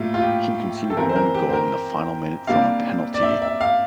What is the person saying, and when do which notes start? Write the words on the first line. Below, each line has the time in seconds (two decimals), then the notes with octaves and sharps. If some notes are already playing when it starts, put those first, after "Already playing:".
He conceded one goal in the final minute from a penalty.
Already playing: A2 G3 A#3 E4 F4
0.14 F4
0.22 G4
0.90 A4
0.97 C3 E3 G3 C4 A#4
1.09 C5
1.16 A#4
1.35 G4
1.49 C5
1.53 A#4
2.47 C3 G3 A#3 D4 F5
3.14 D5
3.23 E5
3.42 E5
3.61 F5